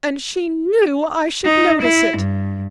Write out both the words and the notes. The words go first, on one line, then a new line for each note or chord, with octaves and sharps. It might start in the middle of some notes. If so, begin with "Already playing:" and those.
And she knew I should notice it.
D#4
E4
G2